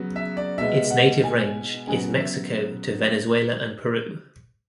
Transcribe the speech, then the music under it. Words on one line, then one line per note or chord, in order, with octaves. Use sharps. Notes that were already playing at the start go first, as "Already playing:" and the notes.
Its native range is Mexico to Venezuela and Peru.
Already playing: C#3 F#3 B3
E5
D5
B2 G#3 B3 E5
F#5
G#5
C#3 F#3 B3 G#5
E5